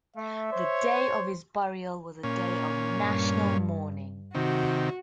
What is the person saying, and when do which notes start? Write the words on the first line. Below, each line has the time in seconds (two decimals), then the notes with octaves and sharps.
The day of his burial was a day of national mourning.
0.16 A3 E5
0.52 C5 C#5
2.24 A#2 C#4
2.98 G2
4.35 C3 D#3 F#4